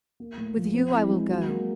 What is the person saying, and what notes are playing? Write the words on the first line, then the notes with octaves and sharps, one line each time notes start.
With you I will go.
A#3
A2
F3
C4
E4
G#3
F#3
A#3